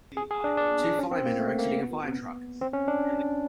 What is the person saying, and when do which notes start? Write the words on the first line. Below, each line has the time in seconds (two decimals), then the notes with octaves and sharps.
Two firemen are exiting a firetruck.
0.17 G#4
0.31 G#4
0.44 D4
0.57 D4
0.99 C#4
1.11 C4
1.25 A#3
1.39 A3
1.59 A#3
1.80 B3
2.61 C4
2.73 C#4
2.88 D4